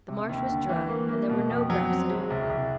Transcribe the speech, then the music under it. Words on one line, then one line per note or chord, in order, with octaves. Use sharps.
The marsh was dry and there were no grouse at all.
C3
D#2
D3
E3
A#3
A#3
B2
F2
F#3
C4
G#3
C2
C2